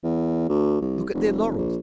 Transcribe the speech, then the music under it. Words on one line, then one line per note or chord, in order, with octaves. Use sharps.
Look at their laurels.
E2
D2
C2
F1
A#1